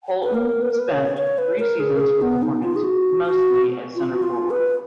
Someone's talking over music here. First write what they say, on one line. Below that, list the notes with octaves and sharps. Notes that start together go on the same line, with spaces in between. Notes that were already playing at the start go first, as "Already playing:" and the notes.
Holton spent three seasons with the Hornets, mostly at centre forward.
B4
A#4
B4
A#4
B4
C#5
C#5
B4
A#4
G#4
A#4
G#4
B3
D#4
F4
G#4
F#4
F#4
F4
F#4
F4
B4